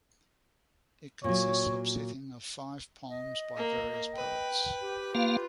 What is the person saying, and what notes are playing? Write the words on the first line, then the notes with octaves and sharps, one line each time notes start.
It consists of settings of five poems by various poets.
A#2 F#3 C#5
D#5
A#3
B4 G5
G4
A#3 F4 B4 F5